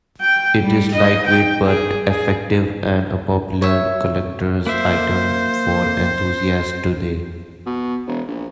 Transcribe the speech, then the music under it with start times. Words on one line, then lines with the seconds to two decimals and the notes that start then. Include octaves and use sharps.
It is light-weight but effective, and a popular collector's item for enthusiasts today.
0.21 G5
0.61 G3
0.94 D#5
1.26 G5
1.67 G#4
2.09 G#4
3.62 C#5 E5
4.67 A#3 C5 E5
7.66 B2
8.07 E1
8.28 A#1